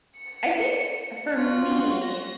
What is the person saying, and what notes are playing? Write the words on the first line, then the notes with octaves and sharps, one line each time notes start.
I think for me,
C#7
F4 F#4
A#6